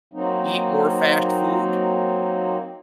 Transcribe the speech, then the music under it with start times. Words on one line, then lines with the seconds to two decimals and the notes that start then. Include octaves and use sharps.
eat more fast food,
0.14 F#3 A#3 C4 D#4